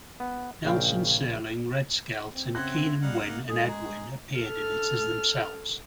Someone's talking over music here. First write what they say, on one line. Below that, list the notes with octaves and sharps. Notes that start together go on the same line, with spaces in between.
Nelson, Serling, Red Skelton, Keenan Wynn and Ed Wynn appeared in it as themselves.
B3
A#1 C#3 F5 G5
C4
C#3 C4 E5 F#5 C6 F#6 G#6 A#6
G3 D#4 F5 F#5
A#3
G#3 G#4 A4 D#6
A#5
A4 F6